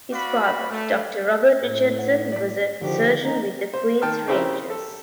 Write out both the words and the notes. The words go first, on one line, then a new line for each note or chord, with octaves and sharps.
His father Doctor Robert Richardson was a surgeon with the Queen's Rangers.
F#4 D5 F5 B5
A3
A2
F#5
D5 B6
D3 D#3 F3 F#4 G4
D#4
C5
D#3 G5 A5 F6
C#3 C4 E4 G4 A#4
A4